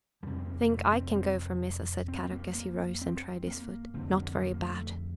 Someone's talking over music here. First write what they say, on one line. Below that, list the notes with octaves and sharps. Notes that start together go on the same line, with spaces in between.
"Think I can go for Missa," said Kadok as he rose and tried his foot. "Not very bad."
F2 C3 G3
C4
A#3
A3
C4
C4
C4
C4
A#3
A#3
C4
A#3
F2 D3 C4
C4
A#3
A#3
A#3
A3